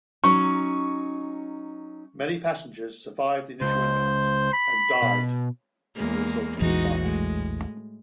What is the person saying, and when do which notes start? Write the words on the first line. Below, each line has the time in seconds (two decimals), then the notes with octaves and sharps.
Many passengers survived the initial impact and died in the resulting fire.
0.24 F#3 C#4 D#4 C#6
3.61 C#2 C5
4.53 B5
5.02 B2
5.95 E2 G#3 A#3
6.61 A#1 E2 E3 G#3 D#4 F#4
7.02 A2 G#3